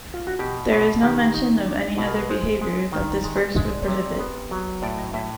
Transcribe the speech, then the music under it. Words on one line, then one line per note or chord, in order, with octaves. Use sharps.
There is no mention of any other behavior that this verse would prohibit.
F4
F#4
B2 G4
B2
D#3 G4
D#4
D4
B2
A#4
B4
G#3 C5
G#3
D#3
G#3
G#3 D#5
D5
C#5
C3
D5
B3
F#3
A2 D5
D#5
A2 E5